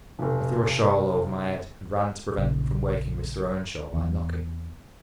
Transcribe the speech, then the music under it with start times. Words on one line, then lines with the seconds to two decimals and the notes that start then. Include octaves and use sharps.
I threw a shawl over my head and ran to prevent them from waking Mr. Earnshaw by knocking.
0.19 F1 B1
2.37 A#1 C#3
3.94 E2